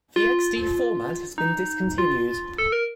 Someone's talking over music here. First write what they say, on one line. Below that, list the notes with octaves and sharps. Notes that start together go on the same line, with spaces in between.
The xD format has been discontinued.
F4
D#4
F4
A4
A#4